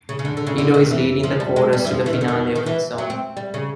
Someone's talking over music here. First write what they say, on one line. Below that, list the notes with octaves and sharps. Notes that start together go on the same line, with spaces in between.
Edo is leading the chorus to the finale of the song.
C#3
C#3
D3
D3
C#3
D3
D#3
E3
F3
G3
G#3
G3
E3
F3
E3
D#3
D3
D#3
D#3
E3
F#3
C4
G3
C#3